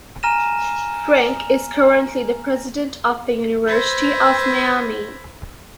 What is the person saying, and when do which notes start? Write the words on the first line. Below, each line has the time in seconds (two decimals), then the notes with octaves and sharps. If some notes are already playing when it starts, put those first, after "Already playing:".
Frenk is currently the president of the University of Miami.
0.23 G#5 A#5 F6 A#6 D#7 E7
3.67 B4 C5 E6 G#6 A#6